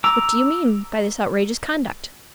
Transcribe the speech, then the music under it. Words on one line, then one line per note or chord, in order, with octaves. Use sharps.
What do you mean by this outrageous conduct?
A#5 D6 E6